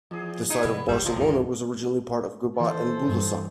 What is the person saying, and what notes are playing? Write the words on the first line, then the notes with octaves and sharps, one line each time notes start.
The site of Barcelona was originally part of Gubat and Bulusan.
E2 F3 G#4
G3 D#4 E4 G#4 D#5
C3 F3 A3 B3
F1 A#1 G2 B2 F#3 G3 E6
E2 A2 F3 F4 A#4
C#2 G2 D#3 E3
E3 A4 C5
G2